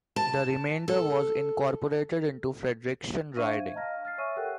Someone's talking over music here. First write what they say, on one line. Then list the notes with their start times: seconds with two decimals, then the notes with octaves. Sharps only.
The remainder was incorporated into "Fredericton" riding.
0.16 A5
0.88 A4
3.37 D4 C5 E5 F5 C#6 D#7
3.59 G#6
3.74 D#5 F5 A5 A#5 F6 A#6
4.05 F6 A6 C7
4.18 C#5 E5 G#5 C#6 E6 D#7
4.36 G4 A4 A#4 F#5 G5 F#6